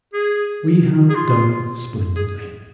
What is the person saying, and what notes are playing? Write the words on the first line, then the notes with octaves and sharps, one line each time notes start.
We have done splendidly.
G#4
G#4
F4
G#4